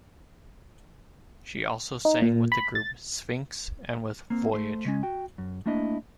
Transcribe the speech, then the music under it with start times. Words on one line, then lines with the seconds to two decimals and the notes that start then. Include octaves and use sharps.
She also sang with the group "Sphinx" and with "Voyage".
2.05 D#4
2.22 A#2
2.52 B5
2.75 A6
4.30 A#3 C4
4.53 A3 C5
4.85 C#3 G#3 C#4
5.03 F#4 G5
5.38 F#2
5.66 A3 A#3 D4 E4 D#5